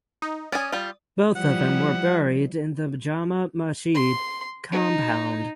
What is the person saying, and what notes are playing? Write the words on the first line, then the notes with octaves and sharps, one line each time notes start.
Both of them were buried in the Jama Masjid compound.
D#4
C#4 D5 G#5 D#6
G3 F4
F3 G3 E4 F#5
C6
D#4